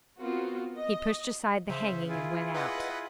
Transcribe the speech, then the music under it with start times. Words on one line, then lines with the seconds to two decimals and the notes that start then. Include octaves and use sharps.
He pushed aside the hanging and went out.
0.20 B3 C4 F4 F#4 A#4
0.77 D#5
1.69 C#3 C5 E5
2.09 E4 F4 G#4
2.55 B4 D#5 F#5